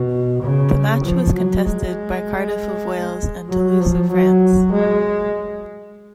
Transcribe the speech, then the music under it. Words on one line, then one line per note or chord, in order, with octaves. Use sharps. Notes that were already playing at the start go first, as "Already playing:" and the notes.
The match was contested by Cardiff of Wales and Toulouse of France.
Already playing: B2
C#3
F3
F#3
G#3
F#3
F3
F#3
G#3